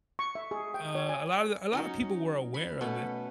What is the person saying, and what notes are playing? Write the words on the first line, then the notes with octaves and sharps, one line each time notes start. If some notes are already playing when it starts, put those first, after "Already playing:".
uh, a lotta a lotta people were aware of it,
C#6
E5
G#4
G5
C#5
G#5
F#3 C#4 D#4
B5
B2 A3 C#4